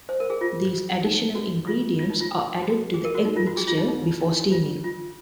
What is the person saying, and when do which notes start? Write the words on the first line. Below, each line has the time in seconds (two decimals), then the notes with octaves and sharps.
These additional ingredients are added to the egg mixture before steaming.
0.09 C5
0.20 A#4
0.30 G#4
0.41 F4
1.04 D#4
1.35 F#4
1.67 F4
1.99 F4
2.10 D#4
2.21 F4
2.62 F#4
2.94 G#4
3.05 A#4
3.15 F#4
3.25 D#4
3.36 F4
3.47 F#4
3.57 G#4
3.67 F4
3.78 D#4
3.88 D#4
4.21 D#4
4.52 F4
4.84 F4